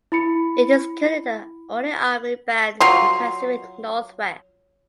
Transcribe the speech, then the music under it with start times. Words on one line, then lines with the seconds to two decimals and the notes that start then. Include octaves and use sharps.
It is currently the only army band in the Pacific Northwest.
0.12 E4 B5 C#7
2.80 F#3 F4 C6